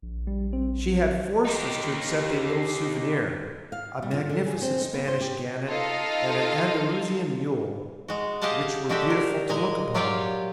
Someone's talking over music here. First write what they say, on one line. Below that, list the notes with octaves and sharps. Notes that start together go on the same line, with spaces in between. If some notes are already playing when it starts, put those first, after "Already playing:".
She had forced us to accept a little souvenir, a magnificent Spanish GENET and an Andalusian mule, which were beautiful to look upon.
A#1
G3
C4
D#4 G4
F5
G3
F4
D3
G#4
C4
D#4
B3
C5
G4
D#4 F4 A4 D#5 F5
G#3 F#4
G4 G#4 D#5 F5 F#5 A5
G#3 D4 F#4 G4 A4 E5
A#4
A#2 G#3 D#5 G#5 A#5
F#3 F4 G4 C#5 D5 F5